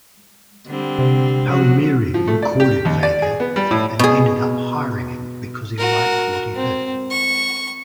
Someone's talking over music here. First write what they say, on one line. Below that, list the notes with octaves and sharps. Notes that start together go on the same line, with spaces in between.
Palmieri recorded Vega and ended up hiring him because he liked what he heard.
D3 G3 C4
C3
F3 F#3 F#4
F3
A3
D5
G4
D#2
D5
G#4
B3
G3
A2
B2 G#4
F#4 A#4
C4
C#6